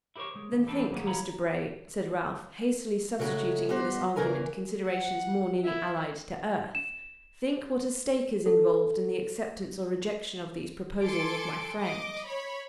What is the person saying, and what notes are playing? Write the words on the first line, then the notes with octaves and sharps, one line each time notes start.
'Then think, Mr Bray,' said Ralph, hastily substituting for this argument considerations more nearly allied to earth, 'think what a stake is involved in the acceptance or rejection of these proposals of my friend.'
E4 G4 A#4 C5 C#5
G#3
D#2 C#3
E3 C4 D4 A4 B4
A#2 D#3 F#3 G#3 A#3 G#4
F3 C#5 A#5 B5
C#3 F#3 G#3 A3 F#4
G3 B3 F#4 C5
E2 C#3 E3 A#4 G#5 A#5
F#5
E4
E7
A4
A4 G#5 C6 D6 C#7 D7
D#5 D6
C#5 B5